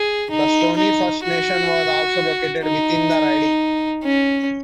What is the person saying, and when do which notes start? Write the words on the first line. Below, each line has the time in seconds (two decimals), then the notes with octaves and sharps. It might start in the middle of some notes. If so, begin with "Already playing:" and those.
The Stoney First Nation was also located within the riding.
Already playing: G#4
0.31 D#4
0.77 D#4
1.23 F#4
2.63 D#4
4.03 C#4